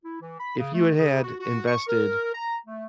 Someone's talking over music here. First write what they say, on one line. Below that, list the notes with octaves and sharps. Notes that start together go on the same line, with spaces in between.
if you had had invested
E4
E3
B5
C#3
A3
C#3
F#4
F#4
C#6
A#4
A#5
A3